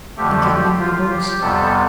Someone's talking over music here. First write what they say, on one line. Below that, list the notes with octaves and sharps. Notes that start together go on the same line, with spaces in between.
"And get me my box?"
F2 D3 F3 A3 G4
F4
G4
F2 C3 G3 B3 A4